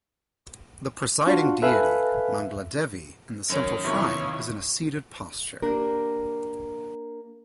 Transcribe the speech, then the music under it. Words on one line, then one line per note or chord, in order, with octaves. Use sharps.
The presiding deity, Mangaladevi in the central shrine is in a seated posture.
D4 F4 F#4
A4 B4 E5 F5 G#5 B5
F#2 D#3 C#4
B1 E2 C3 E4 F4 C#5 C#6
A#3 D4 G4 A#4